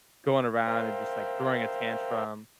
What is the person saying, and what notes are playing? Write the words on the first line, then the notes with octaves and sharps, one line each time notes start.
going around and just, like, throwing a tantrum,
A#4 C5 E5 F5 G5